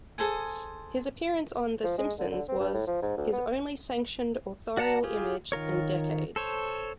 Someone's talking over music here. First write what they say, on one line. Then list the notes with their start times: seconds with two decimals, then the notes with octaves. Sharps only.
His appearance on The Simpsons was "his only sanctioned authorial image in decades".
0.18 G#4 A4 C5 G#5
1.84 F3
1.98 G#3
2.19 D3
2.31 D3
2.48 C4
2.60 G2
2.74 A2
2.87 F3
3.02 G#2
3.17 D2
3.33 B3
4.77 F#4 D5 F#5 A5 A#5
5.04 F4 G4 G#4
5.52 D#3 F4 A#4 C#5
6.36 A4 C5 C#5